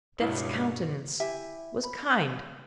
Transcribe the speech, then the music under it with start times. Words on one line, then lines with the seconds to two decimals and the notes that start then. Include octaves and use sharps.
Death's countenance was kind.
0.20 C#2 G2 B2 E4
1.20 E4 G4 E5 G#5
1.84 B5